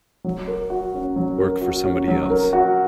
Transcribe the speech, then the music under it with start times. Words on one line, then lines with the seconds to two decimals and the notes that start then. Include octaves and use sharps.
Work for somebody else.
0.24 F#3
0.48 A#4
0.70 F#4
0.94 C#4
1.16 F#3
1.38 A#4
1.61 F#4
1.84 C#4
2.08 F#3
2.30 A#4
2.53 F#4